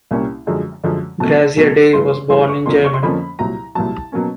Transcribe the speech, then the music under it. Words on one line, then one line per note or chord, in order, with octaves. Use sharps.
Graziadei was born in Germany.
C2 A#2 G3 A#3 C#4
F#2 D3 F3 G#3
F#2 D3 F3 G#3
B2 F#3 A3 C#4 A5
B2 F#3 A3 C#4
G2 E3 A3 C6
G2 E3 A3 C6
C#6
F2 D3 F3 A#3 C#4 C6
C#6
C6
F2 D3 F3 A#3 C#4 B5
C2 A#2 F#3 A#5
C2 A#2 F#3 A5
B2 F#3 A#3 C#4